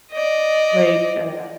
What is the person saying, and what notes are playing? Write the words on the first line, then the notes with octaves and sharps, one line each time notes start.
Like, uh
D5 D#5